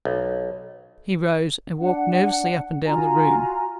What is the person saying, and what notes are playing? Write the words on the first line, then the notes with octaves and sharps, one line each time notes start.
He rose, and walked nervously up and down the room.
B1
D4 F#5
F4 F#4 G#5 A#5